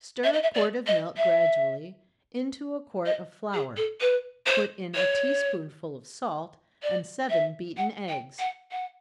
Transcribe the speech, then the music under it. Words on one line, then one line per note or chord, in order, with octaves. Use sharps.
Stir a quart of milk gradually into a quart of flour--put in a tea-spoonful of salt, and seven beaten eggs.
E5
D#5
E5
D5
D#5
E5
D#5
G#4
A4
B4
C5
C#5
D5
E5
F#5
G5
F#5
F#5